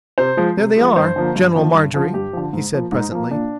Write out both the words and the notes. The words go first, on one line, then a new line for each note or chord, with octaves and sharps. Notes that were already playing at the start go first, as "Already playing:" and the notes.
"There they are--General Marjorie," he said presently.
C3 C5
F3 G#3
C3
F3 G#3
G2 C5
D3 F3 A#3
G2
D3 F3 A#3
G2
D3 F3
G2 G4
D3 F3
G#2
F3 A#3
G#2 D#4
F3 A#3
A#2 D4